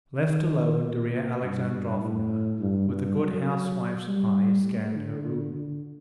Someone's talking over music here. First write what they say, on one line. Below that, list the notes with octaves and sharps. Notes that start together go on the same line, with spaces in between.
Left alone, Darya Alexandrovna, with a good housewife's eye, scanned her room.
D#3
A#2
G2
G2
A2
G2
G2
F#3
G3
A3
D3
D3